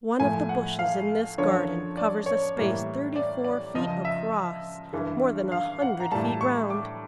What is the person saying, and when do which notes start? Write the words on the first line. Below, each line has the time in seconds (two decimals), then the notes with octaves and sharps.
One of the bushes in this garden covers a space thirty-four feet across--more than a hundred feet round.
0.20 A2 F3 A3 G#5
0.49 F#5
0.79 F5
1.38 F#2 D3 F3 C#5
1.97 D5
2.26 C#5
2.57 A2 E3 G3 A#3
3.16 D5
3.44 D5
3.75 C#2 C#3 F3 D#5
4.05 E5
4.93 G2 E3 G#3
5.52 F5
5.82 F#5
6.00 A#5
6.12 A2 E3 G3 A5
6.41 C#6
6.70 D6